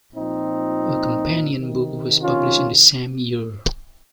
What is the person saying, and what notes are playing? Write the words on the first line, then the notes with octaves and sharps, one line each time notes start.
A companion book was published in the same year.
A#2 F3 C4 D#4
C3 D#3
C#4 F4